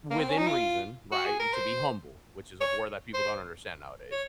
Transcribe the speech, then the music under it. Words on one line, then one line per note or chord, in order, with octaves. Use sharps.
within reason, right, to be humble, which is a word that people don't understand nowadays.
A#3
C4
C#4
D#4
F4
F#4
G#4
A#4
C5
C#5
C5
C#5